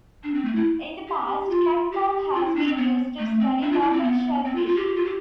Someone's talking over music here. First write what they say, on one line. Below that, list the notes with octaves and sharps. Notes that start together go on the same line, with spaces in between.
In the past, Cat Cove has been used to study local shellfish.
D4
C4
A3
E4
G4
F4
G4
F4
E4
D4
C4
B3
A3
C4
D4
F4
E4
C4
B3
C4
F4
F4
G4
G4
F4
G4